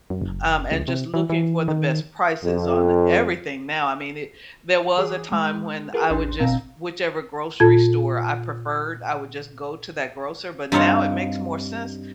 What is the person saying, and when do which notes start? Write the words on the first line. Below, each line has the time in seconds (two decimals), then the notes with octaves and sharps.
um, and just looking for the best prices on everything now. I mean, it There was a time when I would just whichever grocery store I preferred, I would just go to that grocer, but now it makes more sense
0.10 F#2
0.22 F#1
0.71 C#2
0.88 C3
1.14 E3
1.30 E3
1.68 D#3
2.43 F2
4.97 E3 G#4 D6 D#6
5.32 G#3
5.93 F4 G#4 A#4 B4 F#5
6.10 A1 E2 D4 D#4 C6
6.39 G1 B2 C4 F5 A#5 A#6
7.60 A#2 F4 A4 A5 G#6
10.72 G2 C4 D#4 F4 C#5 F#5